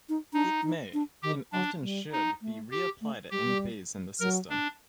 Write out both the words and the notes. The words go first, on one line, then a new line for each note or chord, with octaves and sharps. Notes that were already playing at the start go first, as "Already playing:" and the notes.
It may, and often should, be re-applied at any phase in the System.
D#4
D4 D#4
D#4
D4
D#3 G4
F#3 D4
G3
D#4
A3
G4
A3
G3 G4
G3
F#3 A#4
D4